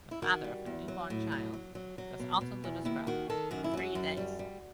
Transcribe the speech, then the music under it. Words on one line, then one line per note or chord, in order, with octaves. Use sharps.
The father of a newborn child goes out into the scrub for three days.
E4
D#3 F#4
G3
E2
F#3
A2
F#3
F#3
F#3
F#3
B2
B2
E2
D#2 E4
D#3 F#4
D#3 A4
F#2 F#4
E4
F#3 F#4
F#2
G3
G3